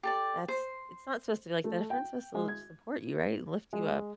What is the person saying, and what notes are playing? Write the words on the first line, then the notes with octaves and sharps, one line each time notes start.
that's It's not supposed to be like that. A friend's suppose to l support you, right, and lift you up
G4 A4 D5
C5
A3
G5
G#3
G#6
G#3